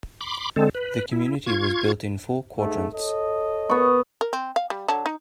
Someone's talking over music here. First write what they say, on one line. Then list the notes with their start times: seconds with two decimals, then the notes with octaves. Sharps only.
The community was built in four quadrants.
0.21 B5 C6 D6
0.56 D3 G#3 C4 A4
0.75 B4
1.12 E4
1.46 F4 C#6 G#6
2.57 G#2 A3
2.94 A4 C#5 D#5
3.69 B3 C#6
4.21 A#4
4.33 C4
4.56 F5
4.70 G3
4.88 D3 F#3 A5
5.06 D#4